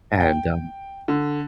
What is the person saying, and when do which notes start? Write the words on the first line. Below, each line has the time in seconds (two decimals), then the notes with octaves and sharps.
And, um
0.21 G5
1.08 D3